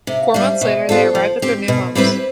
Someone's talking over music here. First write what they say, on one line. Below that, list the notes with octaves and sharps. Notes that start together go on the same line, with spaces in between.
Four months later, they arrived at their new homes.
C3 E5
F5
G3 D4 E5
C5
B2 E5
D5
B3 F4 A4 C5
F3
C4 G4
B2
G3 C4 E4 B4
C5